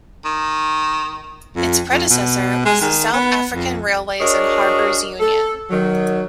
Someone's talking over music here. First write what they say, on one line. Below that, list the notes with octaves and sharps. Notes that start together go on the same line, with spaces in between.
Its predecessor was the South African Railways and Harbours Union.
D#3
F2
F2
B2
G#3
D#3
B3
F2
D4 F#4 G#4 A#4 C#5 D#5
A4
D#3 F#3